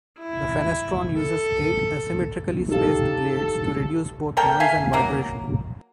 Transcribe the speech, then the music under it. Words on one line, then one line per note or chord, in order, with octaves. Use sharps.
The Fenestron uses eight asymmetrically-spaced blades to reduce both noise and vibration.
E4
A4
D#4 G4 A4 F5
A#3 A4 A#4 G5
E5 F5 G#5
F#3 A#3